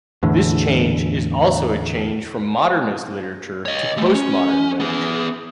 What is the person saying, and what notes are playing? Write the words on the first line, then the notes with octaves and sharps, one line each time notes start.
This change is also a change from modernist literature to postmodern literature.
E2 A2 D3
C#5 D#5
G3 A3
C#4
B3 G#4